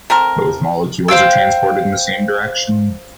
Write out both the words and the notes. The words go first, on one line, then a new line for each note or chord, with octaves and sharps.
Both molecules are transported in the same direction.
A3 C4 A#4
C5 F5 G5 E6